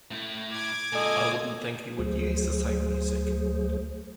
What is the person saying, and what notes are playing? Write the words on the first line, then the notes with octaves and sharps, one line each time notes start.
I wouldn't think he would use the same music.
A2 E4
D6 G#6
A#2 G#3 A4 D#5 G#5
D2 F#3 A3 G#4 C5